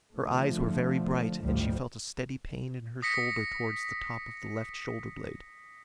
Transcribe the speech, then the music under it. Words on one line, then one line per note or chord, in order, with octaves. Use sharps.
Her eyes were very bright, and she felt a steady pain in her shoulder towards the top of the left shoulder-blade.
D3 F3 A3
A1 D2 G#2 F3 G3
D#6 A#6 B6 C#7